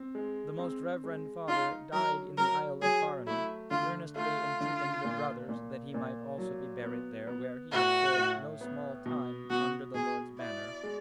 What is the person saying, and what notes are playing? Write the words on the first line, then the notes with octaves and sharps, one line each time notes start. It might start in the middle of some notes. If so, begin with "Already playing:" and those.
The most reverend father died in the isle of Farne, earnestly entreating the brothers that he might also be buried there, where he had served no small time under the Lord's banner.
Already playing: C4
G#3
C4
G#3
D#4 F4
F#3 A#4
F#3 A#4
F#3 G#4
A3 E4
D3 F4
A3 F4
D3
A#2
A#2
A#2
F#3
B3
B3
A2 F#4
A2
B3
B2
B2 F#4
B2 G#4
E4 D5
G#3